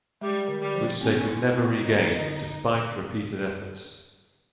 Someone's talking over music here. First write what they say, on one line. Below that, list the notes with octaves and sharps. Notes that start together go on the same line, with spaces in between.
Which they could never regain despite repeated efforts.
G3 G#3
D3
G3
F3
B3 C#4
E4
B3
D3 D#4
D3